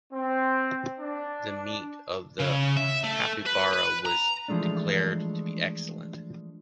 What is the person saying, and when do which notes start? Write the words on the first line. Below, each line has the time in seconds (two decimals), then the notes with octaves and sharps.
The meat of the capybara was declared to be excellent.
0.12 C4
0.99 D4
2.39 C#3
2.77 E5
3.04 A3
3.46 B4
3.73 B4
4.05 A#5
4.48 E3 F3 G#3 A3 D4